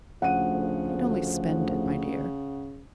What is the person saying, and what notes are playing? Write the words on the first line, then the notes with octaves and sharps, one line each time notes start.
"He'd only spend it, my dear."
D2 C#3 F3 F#5 D#7